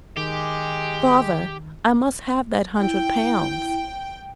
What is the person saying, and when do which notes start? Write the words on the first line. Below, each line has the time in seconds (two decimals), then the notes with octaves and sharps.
'Father, I must have that hundred pounds.
0.17 D#3 G#3 G4
2.79 E4 G5